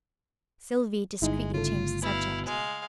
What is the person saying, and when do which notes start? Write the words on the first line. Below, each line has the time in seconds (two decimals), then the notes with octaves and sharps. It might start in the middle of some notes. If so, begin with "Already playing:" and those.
Sylvie discreetly changed the subject.
1.22 G1 G#3 D#4 E4
1.54 C#3 A3 F4
2.02 B2 E4 F5
2.46 G#3 F5